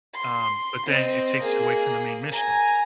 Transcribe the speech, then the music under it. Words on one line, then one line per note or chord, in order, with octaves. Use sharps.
Um, but then it takes you away from the main mission.
C6
C4 D#5
A#3 G#4
G#5 A#5